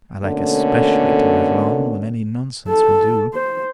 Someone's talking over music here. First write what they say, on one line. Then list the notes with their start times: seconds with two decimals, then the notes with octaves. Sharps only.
I like especially to rattle on when any nonsense will do.
0.23 B2 D3 A3 A#3 C#4
2.68 A4
3.33 C5